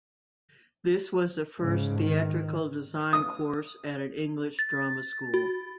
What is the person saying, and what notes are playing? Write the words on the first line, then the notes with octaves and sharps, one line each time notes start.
This was the first theatrical design course at an English drama school.
G#2 C#3
D#3
D#6
A6
F#4